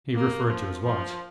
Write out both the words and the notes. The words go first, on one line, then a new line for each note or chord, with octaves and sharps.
He referred to his watch.
A#3
F3
F3